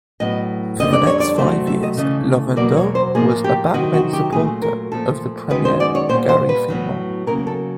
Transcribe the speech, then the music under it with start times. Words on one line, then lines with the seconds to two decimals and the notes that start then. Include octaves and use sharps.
For the next five years, Laurendeau was a backbench supporter of Premier Gary Filmon.
0.20 A2 F#3 B3 D#5
0.80 F2 D3 G3 A#3 D#5
0.93 D5
1.07 C#5
1.20 D5
1.38 C3 D#3 F#3 A3 C5
1.67 E5
1.83 D#5
1.97 C#3 E3 A3 D#5
2.56 E2 B2 F#3 A#3 D5
2.76 C#5
2.95 C5
3.15 A2 F3 A#3 G#4
3.44 G4
3.74 C3 D#3 F#3 F#4
3.94 F#4
4.13 G4
4.32 A#2 F#3 A3 G#4
4.62 A#4
4.92 A#2 F3 A3 A4
5.50 F#2 D#3 G#3 B3 B4
5.65 C5
5.80 D5
5.95 C#5
6.09 A#2 G3 B3 C5
6.29 C5
6.49 B4
6.68 A2 F#3 B3
7.27 C#3 F#3 A#3 A#4
7.47 A4